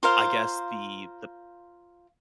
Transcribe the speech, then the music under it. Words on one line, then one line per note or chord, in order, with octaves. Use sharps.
I guess, the the
F4 A#4 C5 F5